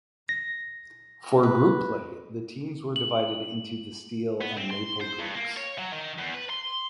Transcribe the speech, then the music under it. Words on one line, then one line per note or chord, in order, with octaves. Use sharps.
For group play the teams were divided into the Steel and Maple groups.
A#6
B4
F#7
B3
C4
C6
C5
G2
A#3
C#5
F#3
D#3
E2
B4
C6